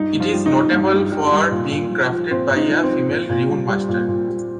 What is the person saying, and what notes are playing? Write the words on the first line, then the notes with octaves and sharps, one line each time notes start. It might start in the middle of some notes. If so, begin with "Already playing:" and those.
It is notable for being crafted by a female runemaster.
Already playing: G2 D#4
G2
F3 F4
G3
D#4
G3
G2
G2
G3
G3
A#2
A#2
F3
F3
A#2 C4
A#2
D#4
F3
C4
F3
A#2
A#2
G3
G3
A#2
A#2
G3